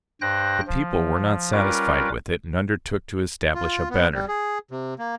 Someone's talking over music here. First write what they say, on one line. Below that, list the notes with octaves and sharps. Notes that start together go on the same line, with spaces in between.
The people were not satisfied with it, and undertook to establish a better.
G2 C5 G5 F#6 A#6
F3
G3 C#4 F4 A#4 B4 D6
F4
B3
G3
G#4
C3
A#3